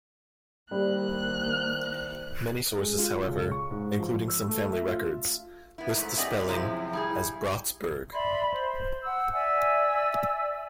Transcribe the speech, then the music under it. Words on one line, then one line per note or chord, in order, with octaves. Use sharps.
Many sources, however, including some family records, list the spelling as "Bratsburg".
C2 D#3 G3 A#3 F#6
G#3
F4
F4
C#2
C#6
G#2
F3
E6
A3
E5
F4
B3 E4
G#2 A3
C4 G4 D5 D#5 F#5 G#5
G4
F#2 C3 F3 G#3 E4
G3 E4 G#4
D5 E5 B5 C6
C5
F#5 E6
D5 E5 G#5 E6